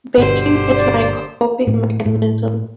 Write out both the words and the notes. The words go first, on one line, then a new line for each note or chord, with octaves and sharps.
Baking is my coping mechanism.
G1 B2 D3 G4 C5
D5
A2
A2